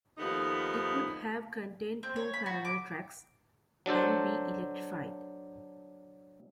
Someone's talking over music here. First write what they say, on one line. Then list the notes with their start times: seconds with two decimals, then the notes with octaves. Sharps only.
It would have contained two parallel tracks, and be electrified.
0.18 D#2 F3 A3 B3 D#4
2.03 C4
2.16 C#5
2.34 B5
2.46 F#4
2.65 D6
3.86 F#3 D4 A4 C5